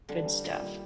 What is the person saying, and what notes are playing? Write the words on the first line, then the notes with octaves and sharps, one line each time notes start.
Good stuff.
D3 G3
G3
A#2 D#3
G3